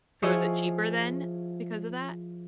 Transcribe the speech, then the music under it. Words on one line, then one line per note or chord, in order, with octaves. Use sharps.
So is it cheaper then because of that?
F3 E4 G#4 C5 C#5 D#5